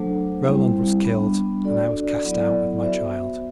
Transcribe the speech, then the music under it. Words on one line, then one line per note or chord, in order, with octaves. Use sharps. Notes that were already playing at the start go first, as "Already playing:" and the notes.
Roland was killed, and I was cast out with my child.
Already playing: F#3 A3 D4 A4 C5
G3 C4 E4 G4 C5
G3 B3 D4
D4 F#4 A4 D5
F#3 B3 E4 A4 D5
B3 F#4 C5 E5